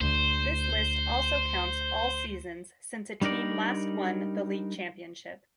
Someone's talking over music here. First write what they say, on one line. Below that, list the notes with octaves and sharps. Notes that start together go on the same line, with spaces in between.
This list also counts all seasons since a team last won the league championship.
D2 C5
G3 D4 D#4 A#4 D5